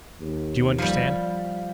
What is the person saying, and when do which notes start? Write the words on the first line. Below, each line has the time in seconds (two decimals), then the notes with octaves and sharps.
Do you understand?
0.21 D#2
0.78 F3 G3